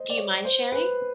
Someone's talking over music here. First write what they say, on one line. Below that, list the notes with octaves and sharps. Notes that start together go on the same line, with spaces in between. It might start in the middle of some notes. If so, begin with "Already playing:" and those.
do you mind sharing?
Already playing: C5 D#5
D5
C#5
C5
B4